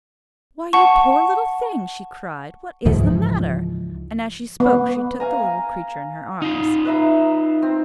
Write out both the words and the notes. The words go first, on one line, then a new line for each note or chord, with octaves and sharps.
"Why, you poor little thing!" she cried, "what is the matter?" and as she spoke she took the little creature in her arms.
F#5 A5 C#6
C#2 G#2 E3 F3
B3
F5 G#5 A#5
D#4 F4
B4 E5 A#5
C4